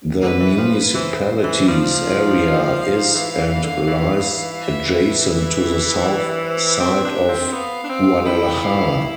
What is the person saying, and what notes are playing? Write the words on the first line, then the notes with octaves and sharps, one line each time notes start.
The municipality's area is and lies adjacent to the south side of Guadalajara.
D3 B4
E3
F3
E3 C5
E3
F3 D5
F5
E3
E3
E3
D3
E3
E5
E5
D5
C5
C4 E5
D4
C4
B3 F5
D4
C4
E4 G5
F5